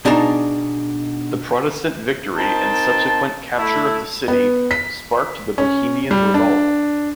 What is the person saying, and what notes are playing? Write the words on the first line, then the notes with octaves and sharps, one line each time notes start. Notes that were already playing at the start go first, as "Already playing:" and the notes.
The Protestant victory and subsequent capture of the city sparked the Bohemian Revolt.
B2 D4 D#4 G#4 A5 A#5
C4 D#4 A#4 A5
A3 E4
B3
B6
C#4
G3
D4